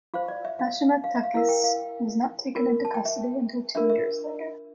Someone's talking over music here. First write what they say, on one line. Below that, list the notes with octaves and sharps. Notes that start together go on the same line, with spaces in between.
Ashima Takis was not taken into custody until two years later.
F4 C5 F5
D5
E5
F5
F5
E5
F5
E4 A#4 F5
G5
F5
F4 A#4
A5
G5
E5
D4 F4 A#4 E5
E5